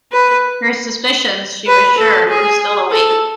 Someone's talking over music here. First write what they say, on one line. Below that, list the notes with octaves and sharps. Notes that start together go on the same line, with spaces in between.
Her suspicions, she was sure, were still awake.
B4
B4
A4
G#4
A4